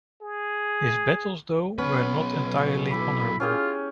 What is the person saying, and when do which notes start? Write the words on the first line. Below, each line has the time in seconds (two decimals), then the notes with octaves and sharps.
His battles, though, were not entirely honourable.
0.22 G#4
1.78 B1 B3 C#4 B4
2.91 E4 B5 D6
3.40 C#4 F4 G4 G#4